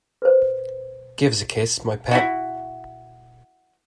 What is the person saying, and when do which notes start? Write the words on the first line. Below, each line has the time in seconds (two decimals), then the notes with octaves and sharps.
Give us a kiss, my pet.
0.22 B4 C5
2.11 E4 F#4